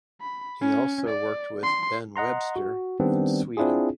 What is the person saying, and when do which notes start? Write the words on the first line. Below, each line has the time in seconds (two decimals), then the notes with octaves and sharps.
He also worked with Ben Webster in Sweden.
0.21 B5
0.61 C#4
1.08 D5
1.63 C6
2.16 D#5 F#5 A#5 C6
2.56 F#4
3.00 D#3 G3 B3 C4 D4
3.57 C4 D4 E4 F4 G#4